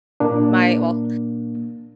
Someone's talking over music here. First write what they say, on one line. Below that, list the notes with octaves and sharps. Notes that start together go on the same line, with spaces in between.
my, well
A#2 A#3 D4